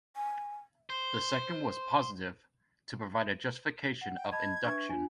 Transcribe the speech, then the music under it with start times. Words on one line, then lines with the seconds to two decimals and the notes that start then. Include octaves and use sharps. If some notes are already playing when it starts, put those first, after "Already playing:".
The second was positive - to provide a justification of induction.
0.16 G#5
0.90 C5
4.01 F#5
4.16 G5
4.32 D#5 A5 B5 G#6
4.65 D4 B4 E5 C#6
4.89 D4 F4 G#5